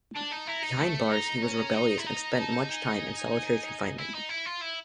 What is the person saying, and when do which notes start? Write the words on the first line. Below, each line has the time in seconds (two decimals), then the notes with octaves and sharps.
Behind bars, he was rebellious and spent much time in solitary confinement.
0.15 D4 A5
0.31 D#4
0.47 E4 A#5
0.63 D#4
0.79 A3 A5
1.10 D#4 A#5
1.43 C#4 A#5
1.75 D#4
1.98 E4
2.06 D#4 A#5
2.38 A5
2.70 G#5
3.98 E4
4.14 D#4
4.29 E4
4.46 F4
4.62 E4